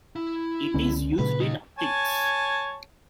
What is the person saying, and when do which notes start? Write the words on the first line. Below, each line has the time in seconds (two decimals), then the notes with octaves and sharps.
It is used in optics.
0.16 E4
0.74 C#2 D3 C#4
1.19 A#2 C#3 B4
1.40 D#2 D#4
1.79 C#5 G#5 A5